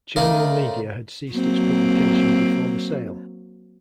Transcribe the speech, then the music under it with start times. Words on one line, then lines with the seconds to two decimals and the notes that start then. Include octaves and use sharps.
General Media had ceased its publication before the sale.
0.16 C#3 A3 D4 D#4 F4 A#4
1.32 F#3 A#3 C4